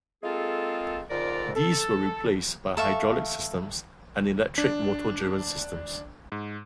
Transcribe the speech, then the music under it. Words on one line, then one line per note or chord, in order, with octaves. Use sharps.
These were replaced by hydraulic systems and electric motor-driven systems.
G#3 A#3 C4 F4 G#4 A4
F2 G#2 D3 F4 A#4 D5
A4
A4 E5 F5 C#6
D4
G#2